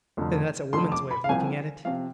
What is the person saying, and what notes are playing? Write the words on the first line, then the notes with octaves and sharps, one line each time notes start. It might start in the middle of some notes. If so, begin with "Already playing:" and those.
"That's a woman's way of looking at it!"
F1 F2 D3
F1 F2 D3 C6
D6
B5
F5
C2 C3 F3 G#5
C3 F3 F5